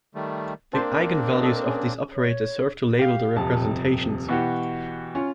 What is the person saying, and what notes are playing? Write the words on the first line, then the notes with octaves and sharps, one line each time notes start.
The eigenvalues of these operators serve to label the representations.
D#3 G3 A3
A#3 C4 D4 A#4 C5 A5
A4 D#5
C#4 G#4
C#5
G4 F5
D#1 F2 C3 A5
B2 E3 F#4 G4
C#4 F4